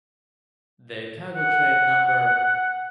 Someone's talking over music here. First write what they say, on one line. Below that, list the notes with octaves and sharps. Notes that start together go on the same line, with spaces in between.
The cargo train no.
F#5